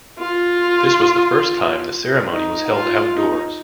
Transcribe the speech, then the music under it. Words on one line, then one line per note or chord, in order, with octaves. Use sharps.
This was the first time the ceremony was held outdoors.
F4
D#4
F4
D#4